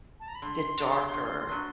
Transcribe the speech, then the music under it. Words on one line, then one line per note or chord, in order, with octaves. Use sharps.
the darker,
A5
A#5
B5
D3 C6
F#3 B3 D4 F#4
D3
F#3 B3 D4 F#4